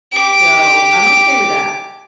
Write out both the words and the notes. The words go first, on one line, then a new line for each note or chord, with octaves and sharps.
So, I'm okay with that.
G4 D6